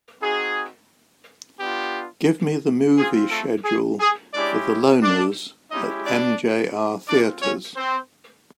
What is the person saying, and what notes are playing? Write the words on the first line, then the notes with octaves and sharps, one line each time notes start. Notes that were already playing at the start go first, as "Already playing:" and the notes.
Give me the movie schedule for The Loners at MJR Theatres.
C4 D#4 F#4 G#4
B3 D4 F4 G4
C4 F4 G#4
A3 A4
G#4
G#4
G#3 C#4 D4 E4 G4 D5
D4 D5
G#3 C#4 D#4 E4 G4 D#5
D4 D5
C4 D4 F4 D5
C#4 C#5
C4 C5